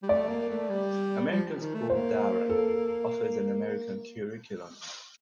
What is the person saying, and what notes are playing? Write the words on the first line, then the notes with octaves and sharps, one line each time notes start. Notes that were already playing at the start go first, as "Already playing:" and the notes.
American School Dhahran offers an American curriculum.
G3
A3 D5
A#3
A3
G3
F3
D#3
A3
A#3 C5
A4